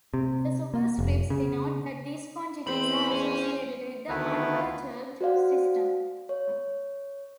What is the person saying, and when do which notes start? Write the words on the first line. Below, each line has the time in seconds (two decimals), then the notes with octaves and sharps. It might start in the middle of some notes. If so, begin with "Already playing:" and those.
The superscripts denote that these quantities are associated with the unperturbed system.
0.14 C3
0.74 A#3
0.99 F1
1.30 C#3
2.67 E2 C4 C5 B5
3.11 C#4
4.09 D2 D#3 A3 B3 E4 B4
5.21 F#4 C5 D5 F5 F#5
6.29 C#5